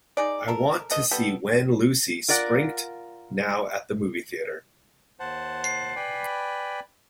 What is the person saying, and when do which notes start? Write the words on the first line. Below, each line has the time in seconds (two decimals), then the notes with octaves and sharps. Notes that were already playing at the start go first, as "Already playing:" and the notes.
I want to see Wenn Lucy springt now at a movie theatre.
0.17 D#4 G#4 D5
0.48 A4 A#4
0.90 B2 A4 D#5
1.11 G3 B3 A4
2.28 F4 A#4 D5 F#5
5.20 D#2 C5 F#5 A5
5.96 B4 D5 G5 G#5 B5